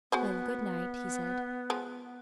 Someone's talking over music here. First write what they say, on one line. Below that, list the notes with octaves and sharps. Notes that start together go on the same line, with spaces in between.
"Well, good night," he said.
B3 F#4 G#4 C5
F3 G#3